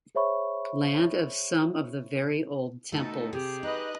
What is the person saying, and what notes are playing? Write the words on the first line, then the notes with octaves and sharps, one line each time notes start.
Land of some of the very old temples.
G#4 C5 C#5 E5 B5 C#6
B2 D#3 A3 D#4 A4
C3 G4 G#4
D#4 B4 D#5 F#6